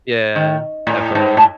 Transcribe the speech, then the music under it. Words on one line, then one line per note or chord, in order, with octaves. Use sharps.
Yeah, definitely.
D#3
A2
G#2
A2 A5